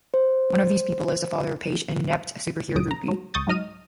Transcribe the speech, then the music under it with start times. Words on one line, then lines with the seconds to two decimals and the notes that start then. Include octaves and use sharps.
One of these people is the father of Page, an inept superhero groupie.
0.14 C5
2.75 D2 A#2 C#3 F#3 D#6 D7
2.91 A#5
3.08 F#3
3.34 C#2 C#6 D#6 G6 A6
3.47 G#2 F#3 D#4 D#5 F6 D#7